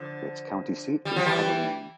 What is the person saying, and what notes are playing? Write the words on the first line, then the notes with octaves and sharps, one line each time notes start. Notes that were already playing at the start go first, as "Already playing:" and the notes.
Its county seat is Abilene.
Already playing: D3 F3
G3
F3
E3 G3